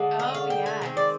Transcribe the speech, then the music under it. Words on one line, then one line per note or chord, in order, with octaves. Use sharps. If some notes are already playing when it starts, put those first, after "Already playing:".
Oh, yes.
Already playing: D3 G#3
D#5
F5
G5
G#5
D#3 G#3 C4
D5